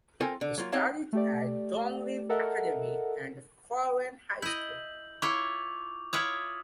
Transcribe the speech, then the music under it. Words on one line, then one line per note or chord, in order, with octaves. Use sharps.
He studied at Donglin Academy and Furen High School.
C4 F4 A4 A#4 G5 G#5
D3
F#3 A#3 F4
C4 D#4 G4 C#5 F5 A5
A3 G4 D5
A4 A#4 D#5 E5 F#5
E4 D#5 G6 F#7
E4 F4 C#5 C#6 D6 F7
E4 F4 C#5 D#6 F6 G#6